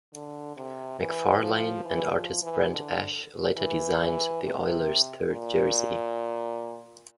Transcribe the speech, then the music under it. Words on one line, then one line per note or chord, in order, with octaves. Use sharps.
McFarlane and artist Brent Ashe later designed the Oilers' third jersey.
D3
C3
E3
F3
E3
F3
E3
D3
E3
E3
C3
A#2